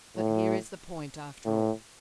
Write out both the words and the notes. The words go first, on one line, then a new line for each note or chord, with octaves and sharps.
But here is the point, after all.
A2
A2